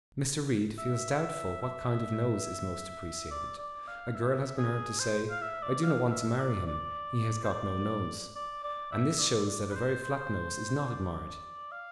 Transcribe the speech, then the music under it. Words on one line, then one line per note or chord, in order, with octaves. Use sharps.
Mr. Reade feels doubtful what kind of nose is most appreciated; a girl has been heard to say, "I do not want to marry him, he has got no nose"; and this shews that a very flat nose is not admired.
E5
E5
D5
D5
F5
E5
G#4
C5
F5
E5
D5
F5
E5
D5
D5
C5
D5
D5
D5
E5
D5
D5
B4
C5
C5
D5
F5